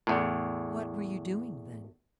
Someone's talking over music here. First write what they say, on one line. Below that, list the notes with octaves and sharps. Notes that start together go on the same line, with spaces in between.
"What were you doing, then?"
E2 A2